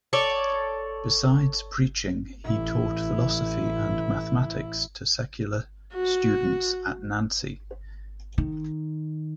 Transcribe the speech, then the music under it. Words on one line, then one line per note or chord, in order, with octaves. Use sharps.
Besides preaching, he taught philosophy and mathematics to secular students at Nancy.
A4 C#5 D5
A1 E4
F#4
D#3